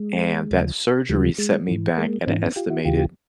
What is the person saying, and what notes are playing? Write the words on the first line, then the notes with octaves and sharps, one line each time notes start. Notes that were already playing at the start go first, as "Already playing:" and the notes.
And that surgery set me back at a estimated
Already playing: G#3
D#2 C#3 F3
D#2 C#3 F3 G3
G#3
G#2 E3
G#3 A#3
G#2 E3 C4 D4
B3 C#4
F4 G4
E4 F#4
D#2 C#3 E3 F4 G4